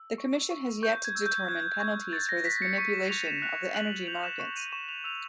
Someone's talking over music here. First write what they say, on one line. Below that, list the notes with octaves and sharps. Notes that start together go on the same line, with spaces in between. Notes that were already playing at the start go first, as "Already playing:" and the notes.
The commission has yet to determine penalties for this manipulation of the energy markets.
Already playing: E6
C#6
C#6
C#6 G6
G#6
E6
G6
F#6 G#6
C#6 G#6
C#6 A6
A#6
F#6 B6
C#7
C#6 D#7
E7
C#6 F7
E7
F#6 F7
F#6 F#7
G6 F7
E7
C#6
D#7
C#6 E7
F7
E6 F7